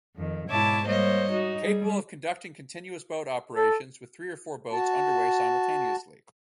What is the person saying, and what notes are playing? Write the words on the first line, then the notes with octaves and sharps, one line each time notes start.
Capable of conducting continuous boat operations with three or four boats underway simultaneously.
F2 D#3
G#2 B2 E4 C#5 A5 D6
G3 A#3 C5 C#5 D#5
D#4 F#4
G3 G#4
A4
F#4 A5